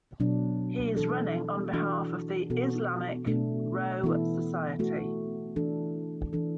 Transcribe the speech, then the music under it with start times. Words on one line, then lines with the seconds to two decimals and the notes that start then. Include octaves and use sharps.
He is running on behalf of the "Islamic Row" Society.
0.20 B2 F#3 D4
0.97 E3 D4 A4
1.73 E3 D4 F#4 A4
2.50 B2 B3 F#4 A4
3.26 B2 A3 D4 A4
4.04 E3 B3 E4 A4
4.79 A3 F#4 A4
5.56 E3 D4 A4
6.33 E3 D4 A4